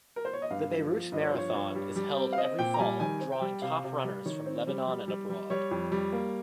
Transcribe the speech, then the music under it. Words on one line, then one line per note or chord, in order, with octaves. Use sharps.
The Beirut Marathon is held every fall, drawing top runners from Lebanon and abroad.
A#4
C5
C#5
D#5
G2 F5
F3
F3
G2 D#5
C#5
C5
F3 C#5
G2
G3
G3
C4
F5
C4 D#5
A#2 G5
A#5
G3 G#5
D#3 G#5
C4
G5
G3
C3 F5
C3
G3
D#3 C#5
C4
G3
G3
G3
G3
G3 C#5
F2
G3
A#3